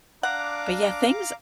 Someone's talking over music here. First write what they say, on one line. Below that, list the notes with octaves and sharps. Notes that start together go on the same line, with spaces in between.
but, yeah, things
D4 F5 F#5 A#5 D6